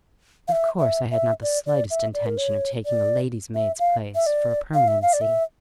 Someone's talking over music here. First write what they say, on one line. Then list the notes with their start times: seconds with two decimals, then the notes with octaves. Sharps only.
Of course, I had not the slightest intention of taking a lady's-maid's place for a permanency.
0.48 F5
0.52 E5
0.79 E5
1.11 E5
1.42 D5
1.66 D5
1.90 E5
2.14 D5
2.26 A#4
2.38 C#5
2.85 D5
3.55 E5
3.79 F5
4.15 E5
4.26 D5
4.74 F5
4.88 E5
5.02 F5
5.13 D5
5.21 E5